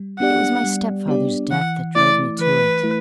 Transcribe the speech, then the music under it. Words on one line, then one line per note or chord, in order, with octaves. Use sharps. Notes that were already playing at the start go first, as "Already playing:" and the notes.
It was my stepfather's death that drove me to it.
Already playing: G3
B3 D4 G4 D5 F#5
G3
B3 D4 G4 D5
E3 F#5
A3 E4 D5
E3 B4
A3 E4